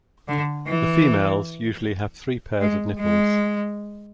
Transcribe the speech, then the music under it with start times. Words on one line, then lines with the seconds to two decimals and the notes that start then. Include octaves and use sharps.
The females usually have three pairs of nipples.
0.28 D3
0.67 E3
2.61 G#3
3.00 G#3